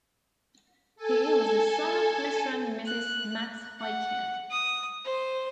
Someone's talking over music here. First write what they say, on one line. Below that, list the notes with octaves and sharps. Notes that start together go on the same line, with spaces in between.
He was the son of Mr. and Mrs. Max Hiken.
A4 G#5
F#6
F#5
D#6
C5